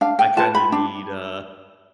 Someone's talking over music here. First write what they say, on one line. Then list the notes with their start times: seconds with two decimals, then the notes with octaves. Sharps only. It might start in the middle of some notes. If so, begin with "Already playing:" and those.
I kinda need, uh,
0.01 D4 F5
0.19 G5
0.37 F4 B4 A5
0.55 B5
0.72 D4